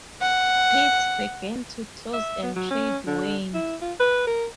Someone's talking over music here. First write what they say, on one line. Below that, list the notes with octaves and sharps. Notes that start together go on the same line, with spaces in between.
Pits began to close and trade waned.
F#5
E5
B3
F#3
C#4
D3
E4
F4
B4
A#4